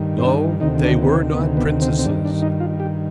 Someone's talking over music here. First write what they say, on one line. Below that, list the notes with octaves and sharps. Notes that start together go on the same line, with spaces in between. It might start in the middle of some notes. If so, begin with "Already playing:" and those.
No, they were not princesses.
Already playing: G2 D#3
C4
D4
D2 C3 D#3 D#4
D4
B3
C4
B3
B3
C4
C4
G2 D#3 D4
D4
D#4
F4
G4